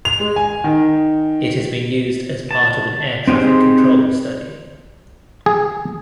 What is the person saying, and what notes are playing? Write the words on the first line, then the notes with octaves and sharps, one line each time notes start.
It has been used as part of an air traffic control study.
F7
G#3
G#5
D#3
A5
C4 D#4 G4 G#4 C5
G#4